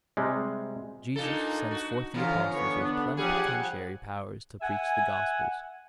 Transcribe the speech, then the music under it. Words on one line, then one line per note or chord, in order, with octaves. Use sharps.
Jesus sends forth the Apostles with plenipotentiary powers to preach the Gospel.
C3 G3 G#3
A#2 A#3 D4 D#4 A4
F#4
D3 E3 F3 C#4 F5 A#5
D3 B3 C#5
D4
F3 G3 G#4 F#5 G#5
E5 F#5 G#5